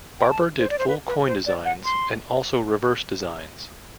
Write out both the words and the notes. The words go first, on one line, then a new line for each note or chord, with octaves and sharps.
Barber did full coin designs and also reverse designs.
G5
A5
C5
D5
C5
B4
B4
C5
D5
F#5
C6